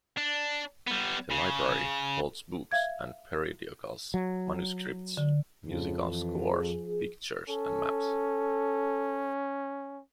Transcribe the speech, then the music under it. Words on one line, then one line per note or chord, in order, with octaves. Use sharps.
The library holds books and periodicals, manuscripts, musical scores, pictures and maps.
D4
G3 B3
C#3
E5 F5 G#6
F#3
D3
F2 G#2 C#3
E3
F3 G#4
C#4 A4